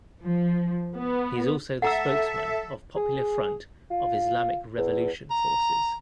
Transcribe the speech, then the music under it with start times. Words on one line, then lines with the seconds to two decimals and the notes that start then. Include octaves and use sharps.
He is also the spokesman of Popular Front of Islamic Revolution Forces.
0.20 F3
0.93 B3
1.82 A4 E5 F#5 A#5 E6
2.96 G#4
3.91 F4
4.77 E2
5.30 A#5